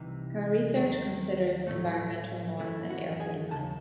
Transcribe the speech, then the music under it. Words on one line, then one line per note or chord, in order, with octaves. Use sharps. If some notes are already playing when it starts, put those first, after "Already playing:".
Her research considers environmental noise and air pollution.
Already playing: C2 C3 E3 D#4
D#2 D#3 F#3
A2 F#3 A3
F#2 E3 A3 E4 E5
F#4 F#5
G#4 G#5
D#2 C#3 A5